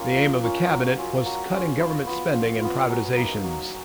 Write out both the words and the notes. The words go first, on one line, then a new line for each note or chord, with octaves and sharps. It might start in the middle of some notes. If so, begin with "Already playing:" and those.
The aim of the cabinet was cutting government spending and privatizations.
Already playing: A#3 C#4 F4 C#6
F3
A#3 C#4 F4
F#3
C#4 F4
F#3
C#4 F4
F3 B5
B3 F4
F3
B3 F4
F#3 G#5
A#3 D#4
F#3